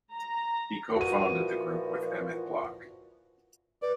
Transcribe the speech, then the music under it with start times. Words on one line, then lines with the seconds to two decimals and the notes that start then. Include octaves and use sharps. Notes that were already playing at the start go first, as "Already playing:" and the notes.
He co-founded the group with Emit Bloch.
0.12 A#5
0.96 A#2 E3 F3 F#4 D#7
3.82 B4 D5